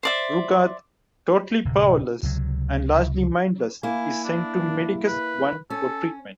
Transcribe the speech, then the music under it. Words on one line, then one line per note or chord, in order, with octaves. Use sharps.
Rugarth, totally powerless, and largely mindless, is sent to Medicus One for treatment.
C5 D5 E5
D1 C3
C#2 C3 F#3
A#3 E4 G#5
D4
B4
C#4 A4